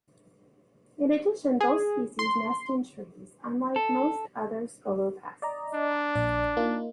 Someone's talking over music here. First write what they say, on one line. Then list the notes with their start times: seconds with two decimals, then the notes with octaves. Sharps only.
In addition, both species nest in trees, unlike most other scolopacids.
1.61 G#4
2.19 C6
3.76 A4
5.42 D5 D#5 A#5
5.74 D4
6.15 A#1 D5
6.57 A#3 D#4 F4